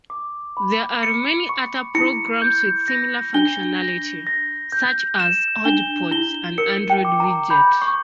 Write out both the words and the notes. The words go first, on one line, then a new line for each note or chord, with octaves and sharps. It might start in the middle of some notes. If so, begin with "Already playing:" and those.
There are many other programs with similar functionality, such as HodgePodge, an Android widget.
D6
B5
C#7
C#6
E4 C#7
G6
A#6
D4 G7
A#6
A#6
G6
E7
D4 G7
E4 G7
A#4 C#7
G5
D6
A#5
B5 G6
C#6